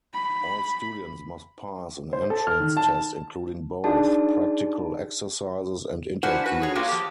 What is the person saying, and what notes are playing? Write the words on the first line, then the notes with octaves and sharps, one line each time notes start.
All students must pass an entrance test including both practical exercises and interviews.
B5
C5
A4
F6
D#3
A5
D4 D#4 F#4 G#4 D5 A5
C#4 D4 E4 F#4 C5 F#5
F#4 B4
G#4 C#5
A3 A#3 F4 F#4 C#5 G5
F3 G4